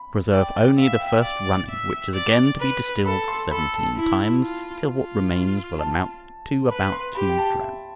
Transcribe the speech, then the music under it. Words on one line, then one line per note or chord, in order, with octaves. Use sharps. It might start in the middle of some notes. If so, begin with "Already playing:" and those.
You preserve only the first running, which is again to be distilled seventeen times, till what remains will amount to about two drams.
Already playing: B5
D5 G5
G5
E5 F5
G5
D5
E5
D5
B4
A4 B5
C6
A4 B5
A5
E4
F4
F4
A5
B4 B5
C6
G4 B5
G5
A5
E5